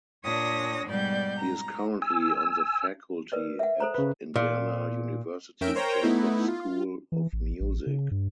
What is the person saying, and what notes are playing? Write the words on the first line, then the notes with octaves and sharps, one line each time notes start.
He is currently on the faculty at Indiana University Jacobs School of Music.
A#2 D4 C#5 D#6 A#6
G#2 B2 G3 D5 G6
A#5
G#5 E6
A#4 B4 D5
E5 F#5
A4 C5 A#5
C#3 B4
A#2
F2 C#4 A#4 E5 G5 D7
A#4 C5 C#5 G5 A#5
A3 B3 D#4 E4
F4
E3
A1
A1
C#3
G2